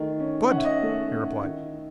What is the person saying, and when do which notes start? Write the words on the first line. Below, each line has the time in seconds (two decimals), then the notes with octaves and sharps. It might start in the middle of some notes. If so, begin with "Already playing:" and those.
"Good!" he replied.
Already playing: D#3 A3
0.20 C#4
0.50 C#4 F#5
0.58 E5
0.65 D#5
0.73 E5
0.83 A3
1.14 A3
1.45 D#3